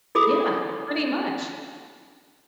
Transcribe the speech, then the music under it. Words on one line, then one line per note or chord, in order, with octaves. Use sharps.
Yeah, pretty much.
E4 G#4 A4 B5 D6 D#6